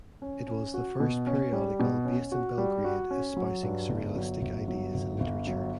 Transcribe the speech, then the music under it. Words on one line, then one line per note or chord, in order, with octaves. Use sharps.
It was the first periodical based in Belgrade espousing surrealistic ideas in literature.
C#4
C#4
F#4
B2
C#4
G3
B2
C#4
F#4
G3
F#4
C#4
F#3
G2
G1
F#3
G1
F#3
G1
G1
F#3